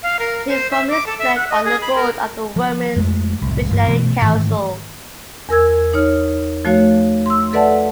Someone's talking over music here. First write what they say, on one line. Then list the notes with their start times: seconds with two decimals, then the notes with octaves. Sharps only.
She formerly served on the board of the Women's Visionary Council.
0.03 F5
0.19 A#4
0.48 C5
0.71 E5
0.89 D6
1.07 A4
1.19 E5
1.36 F#5
1.50 D#5
1.65 G#4
1.82 B5
1.96 A#4
2.56 F3
2.96 F2 G#3 A3
3.42 D1 C2
3.70 G1 D2 G2 E3
3.87 B2 E3 F3 A3
4.21 G#2 D#3 E3 A3
5.49 E2 A#4 E6 G#6
5.93 D#4 C#5 F6
6.65 F3 A3 F#4 C#5 F5
7.26 C6 E6
7.53 A4 B4 D5 E5 F#5 A5